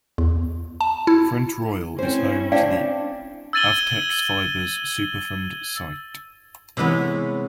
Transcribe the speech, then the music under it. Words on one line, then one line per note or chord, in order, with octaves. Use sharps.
Front Royal is home to the Avtex Fibers Superfund Site.
E2
A5
E4
C4 C#4 E4 C5
C4 D4 D5 F5 G5
E6 G#6 A6 D#7 F#7 G7
C3 E3 G#3 B3 C#4